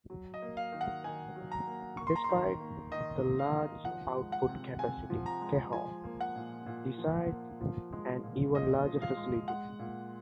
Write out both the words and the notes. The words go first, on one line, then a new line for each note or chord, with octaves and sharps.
Despite the large output capacity, Kehoe desired an even larger facility.
F#3
D#5
A#3
F5
D#3
F#5
D#3 G#5
F#3
A#5
A#3
A#3 C#6
C6
A#5
C6
D#3
A#3
D#3 D#5
A#3
F5
D#3
F3 F#5
G#3
F#5
C3
C3 G#5
F3
A#5
G#3
F3 G#5
A#3
F#5
A#2
A#2
F3
A#3
F3
G#3
A#2
A#2 D#5
F3
F5
G#3
G#3 F#5
A#2